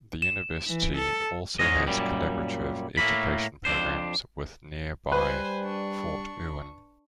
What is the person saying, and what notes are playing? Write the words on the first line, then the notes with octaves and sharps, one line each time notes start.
The university also has collaborative educational programs with nearby Fort Irwin.
E7
E3
A4
E2 G#2 G#3 C#4 D#5
F#2 A#2 G3
A2 A3 A#3 B5
F2 B2 D4 C5
G3 B4 C5 G#5
D4 C#6